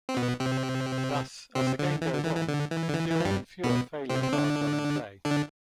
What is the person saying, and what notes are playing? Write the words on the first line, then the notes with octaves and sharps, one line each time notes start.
Thus, as the game goes on, fewer and fewer failure cards are in play.
C4
B2 B3
C3 C4
C3 C4
D3
E3
D3
E3
E3
D3
E3
D3
E3
E3
F3
G2 G3
B2 B3
C3 C4
C4
D3 D4
D3 D4